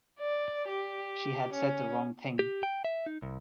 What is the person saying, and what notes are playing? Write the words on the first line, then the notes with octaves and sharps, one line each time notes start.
She had said the wrong thing.
D5
G4
C#4
G4
G5
E5
D#4
C2